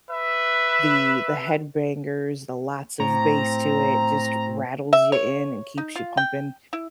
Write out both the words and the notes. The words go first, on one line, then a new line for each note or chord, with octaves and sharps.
the the head bangers, the lots of bass to it, just rattles you in and keeps you pumping,
B4 E5
A2 C4 A#5
E5
C#5
D#4
F4
G5
E4